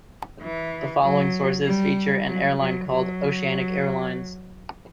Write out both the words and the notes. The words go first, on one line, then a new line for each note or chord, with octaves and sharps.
The following sources feature an airline called Oceanic Airlines.
E3
F#3
G3
F#3
F#3
F#3